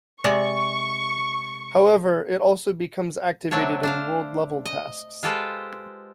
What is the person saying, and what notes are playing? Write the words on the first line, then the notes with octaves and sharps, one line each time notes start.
However, it also becomes activated in word-level tasks.
C3 G#3 D5 C#6
C3 F#3 A3 D4 C#5
D4 C5 F5
D#5
G#3 F4 G4 A4 B4 C5